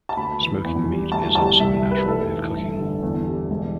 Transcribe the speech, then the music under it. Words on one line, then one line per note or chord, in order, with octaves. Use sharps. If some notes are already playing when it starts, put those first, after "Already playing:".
Smoking meat is also a natural way of cooking.
A5
D2 B5
E3
E2
G3
D2 A5
G3 A5
C2 E5
G3
B4
F1 A4
E3
G1
D3
E2
G3
E1